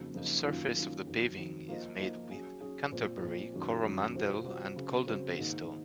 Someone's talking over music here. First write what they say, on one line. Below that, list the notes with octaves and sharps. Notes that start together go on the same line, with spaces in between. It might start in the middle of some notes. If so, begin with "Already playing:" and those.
The surface of the paving is made with Canterbury, Coromandel and Golden Bay stone.
Already playing: F2 C#3 F#3 A#3 D#4
F2 C#3 F#3 A#3 D#4
F#2 D#3 A#3 C#4 F4
F#2 D#3 A#3 C#4 F4
F2 D#3 F#3
F2 D#3 F#3
F3 A#3 F4 C5 D#5
F3 A#3 F4 C5 D#5
F#3 C#4 G#4
F#3 C#4 G#4
A#2 F3 C4
A#2 F3 C4
F#2 D#3 F#3 C#4
F#2 D#3 F#3 C#4
C3 F3 C4 F#4
C3 F3 C4 F#4
C#3 F#3 C4
C#3 F#3 C4
G#2 D#3 A#3 D#4
D#4